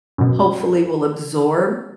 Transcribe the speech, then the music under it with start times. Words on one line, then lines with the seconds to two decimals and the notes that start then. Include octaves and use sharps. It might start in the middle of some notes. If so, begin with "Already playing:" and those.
hopefully will absorb
0.18 F#2 B2